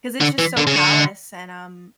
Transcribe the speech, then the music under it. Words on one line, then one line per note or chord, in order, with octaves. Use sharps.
'cause it's just so callous and, um,
D3
E3
D3
C#3
D3